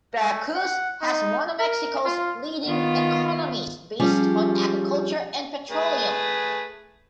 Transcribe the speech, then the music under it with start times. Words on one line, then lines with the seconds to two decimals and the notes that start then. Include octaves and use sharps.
Veracruz has one of Mexico's leading economies, based on agriculture and petroleum.
0.20 A3
0.55 F#5
1.01 D#4
1.59 A#4
2.05 F4
2.67 D#3 B3 F4
4.00 F3 G3 C#4 F4 G4 G#4
5.70 A3 G#4 B4